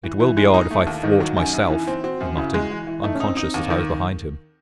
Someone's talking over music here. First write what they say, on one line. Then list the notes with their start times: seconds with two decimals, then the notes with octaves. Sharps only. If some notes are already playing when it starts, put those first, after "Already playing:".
'It will be odd if I thwart myself,' he muttered, unconscious that I was behind him.
0.03 E3
0.20 E3 E4
0.37 G#3
0.54 D#4
0.71 A3
0.87 D#2
1.03 D#3 D#4
1.20 F#3
1.37 F#2
1.53 F#2
1.70 E3 E4
1.87 C4
2.04 C4 F#4
2.21 F#2
2.37 C#3 E4
2.54 G#3
2.71 E3
2.87 E3
3.04 A3 D#4
3.15 C#4
3.20 D#4
3.26 C4
3.37 D#4
3.54 D#2
3.70 D#3